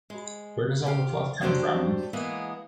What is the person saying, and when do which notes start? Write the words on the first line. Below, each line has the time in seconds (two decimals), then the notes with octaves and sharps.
Where does all the fluff come from?
0.10 G#3
0.87 G4 F5
1.41 F#3 A3 D4 G4 A4 C5
2.13 E3 G#3 A#3 B3 G#4